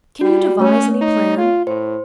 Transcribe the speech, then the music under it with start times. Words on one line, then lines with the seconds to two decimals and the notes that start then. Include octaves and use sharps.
Can you devise any plan?
0.21 G3 F#4
0.60 A3 C#4 C#5
1.01 D#4
1.37 F4
1.67 A2 C5